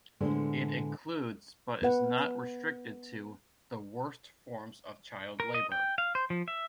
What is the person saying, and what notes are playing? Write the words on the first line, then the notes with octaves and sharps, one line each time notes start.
It includes, but is not restricted to, the Worst Forms of Child Labour.
A2 D3 G#3 B3 G#4 C5
B3 B4 F#5
A#4
D#5
G5
F5
C5
F3
E5